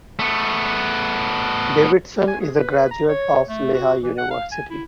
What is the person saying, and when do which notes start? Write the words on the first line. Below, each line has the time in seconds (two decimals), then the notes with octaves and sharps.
Davidson is a graduate of Lehigh University.
0.19 A3 B3
2.28 G#5
2.41 G#4
2.58 B4
2.91 A#5
3.09 C#5
3.49 A3
3.74 F#4
4.03 E3
4.18 F#5
4.31 F5
4.52 G#5
4.70 E4